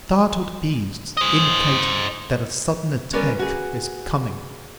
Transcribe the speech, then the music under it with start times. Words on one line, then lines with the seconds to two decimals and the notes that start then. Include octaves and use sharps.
Startled beasts indicate that a sudden attack is coming.
1.17 C5 D#5
3.13 G3 B3 C#4 A#4 D5
3.39 F#4 G#4